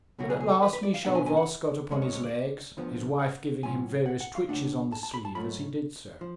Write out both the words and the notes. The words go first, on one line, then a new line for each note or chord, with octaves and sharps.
But at last Michel Voss got upon his legs, his wife giving him various twitches on the sleeve as he did so.
C#2 B2 F#3 F#4
G#4
G#4
A4
B4
B4
D5
F5
B2 F#3 B3 D4 F#5
G#5
G#5
F#5
D2 C#3 G#3 C#4 C#5
C#5
C#5
D5
D2 D3 F3 B3
F#5
A2 F#3 C#4 F4 G#5
F#5
F#5
F5
C#2 B2 A3 D4 F#5
A5
A5
B5
A5
G#2 F#3 A3 F4 B5
F3